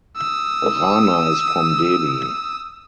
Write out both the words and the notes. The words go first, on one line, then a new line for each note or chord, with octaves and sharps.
Rana is from Delhi.
D#6 E6